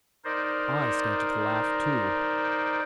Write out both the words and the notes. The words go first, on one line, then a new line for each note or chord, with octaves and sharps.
I started to laugh, too.
D#4 A#4 C5 D5